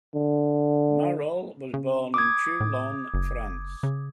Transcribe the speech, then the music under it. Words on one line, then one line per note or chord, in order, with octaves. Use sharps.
Mayol was born in Toulon, France.
D3
C#3
D6 D#6 G#6
A2
F#1
C#3